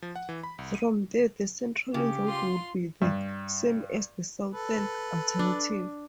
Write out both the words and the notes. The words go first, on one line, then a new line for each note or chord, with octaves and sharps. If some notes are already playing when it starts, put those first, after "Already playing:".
From there the central route would be the same as the southern alternative.
F3
F#5
E3
B5
C2
D#7
C#3 G4
F4 C6
G2
A4 B4
D4